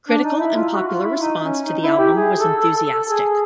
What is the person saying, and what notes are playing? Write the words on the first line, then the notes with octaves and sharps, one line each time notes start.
Critical and popular response to the album was enthusiastic.
D4
D#4
E4
F4
F#4
F4
E4
D#4
C#4
D#4
E4
G4
G#4
A4
A4
A4
A4
G#4